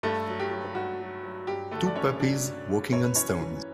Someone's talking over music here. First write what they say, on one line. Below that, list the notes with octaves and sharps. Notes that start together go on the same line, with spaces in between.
Two puppies walking on stones.
G2 A3 A4
F#3
G4
F#3
G2 F#4
F#3
F#3
G2 G4
D3 A3 A4
D5
D3 C#4 C#5
F#3 D4 D5
G2
G2
F#2 C#5
B4
E3 C#4 C#5
C#4 C#5
E3